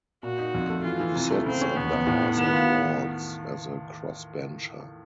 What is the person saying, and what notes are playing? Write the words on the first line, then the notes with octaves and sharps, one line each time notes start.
He sits in the House of Lords as a crossbencher.
A#2 F#4
D#4
F2
A3
E3 F4
E3
C3
A3
C#3 C4
C#4
E2 B3
E2
A2
A2
D#3 B3
F4